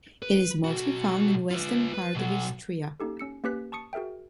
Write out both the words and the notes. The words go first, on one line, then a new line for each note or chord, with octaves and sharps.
It is mostly found in western part of Istria.
B4
B1 F#4
F4 B4
B4
B2 F#3
A#3 C#4 D#4 G4 A4
C#4 E6 C#7
A#3 C#4 G4 B4 F#6 B6
A5 C#6 D#6 C#7
F#4 G#4 A#4 E5 G5